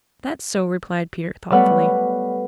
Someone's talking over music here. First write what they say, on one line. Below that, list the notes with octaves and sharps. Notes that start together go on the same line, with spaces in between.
"That's so," replied Peter thoughtfully.
G3 A3 B3 B4 C#5 F#5